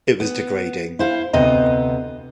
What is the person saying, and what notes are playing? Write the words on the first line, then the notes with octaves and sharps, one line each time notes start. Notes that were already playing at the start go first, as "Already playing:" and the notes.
It was degrading.
B3
E4 C5 F5
D2 C3 B3 D#5 A#5